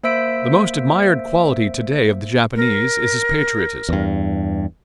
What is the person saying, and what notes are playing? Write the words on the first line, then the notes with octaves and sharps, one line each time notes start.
The most admired quality to-day of the Japanese is his patriotism.
A#3 C5 E5 E6 B6 D7
A#4
E2 G2